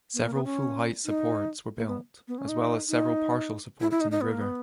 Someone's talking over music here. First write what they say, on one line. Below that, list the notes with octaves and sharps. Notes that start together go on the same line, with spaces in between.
Several full-height supports were built, as well as several partial supports in the river.
B3
A#3
B3
C#4
D#4
A#3
B3
B3
C#4
D#4
D#4
E4
E4
D#4
D#4
B3
A#3
B3